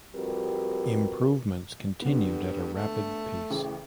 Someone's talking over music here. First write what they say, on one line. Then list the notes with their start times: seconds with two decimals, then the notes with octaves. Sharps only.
Improvements continued at a rapid pace.
0.15 F2 G3 F#4 G4 A#4 B4
2.02 G2 D3 B3
2.74 A3
3.50 A1 C#3